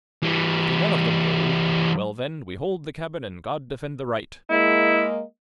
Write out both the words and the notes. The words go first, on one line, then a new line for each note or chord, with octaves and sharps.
If they none of them go, well then, we hold the cabin, and God defend the right.
E3 G3
G#3 A#3 E4 D#5